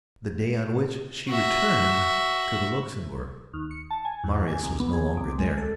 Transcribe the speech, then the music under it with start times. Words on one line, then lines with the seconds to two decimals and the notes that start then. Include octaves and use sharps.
The day on which she returned to the Luxembourg, Marius was no longer there.
1.28 F#4 E5
3.53 D#2
3.71 C#7
3.91 A5
4.05 G#5
4.24 E2
4.48 G#5
4.63 C2
4.80 B3
4.93 G#4
5.17 C2
5.38 G#3
5.58 A4